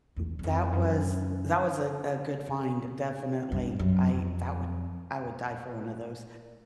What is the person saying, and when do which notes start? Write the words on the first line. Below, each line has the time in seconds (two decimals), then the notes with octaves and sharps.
M that was that was a a good find, definitely. I that wa u I would die for one of those.
0.16 E2
0.39 E2
0.44 F2
0.72 F#2
3.52 G2
3.79 F#2
4.08 F2